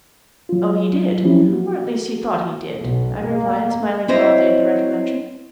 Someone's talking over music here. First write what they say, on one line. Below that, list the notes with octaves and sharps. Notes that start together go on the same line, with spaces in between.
"Oh, he did--or at least he thought he did," I replied, smiling broadly at the recollection.
F#3 F4
F3 F#3 C4 C#4 E4 G4
A#3 F#4
B1
A#3
C4 E4 C5 C#5 D#5